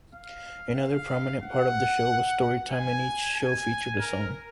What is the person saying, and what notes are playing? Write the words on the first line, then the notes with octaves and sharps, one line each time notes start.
Another prominent part of the show was story-time and each show featured a song.
F5
F5
F#5
G#5
G#5
A#4